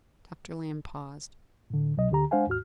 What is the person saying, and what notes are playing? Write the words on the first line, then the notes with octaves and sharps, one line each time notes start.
Dr. Lamb paused.
A2 D3
C2 B2 F#3 D#5
D2 D3 G4 A#5
G#3 D4 C5 F5 F#5 G#5
D#2 G#2 F#4 F6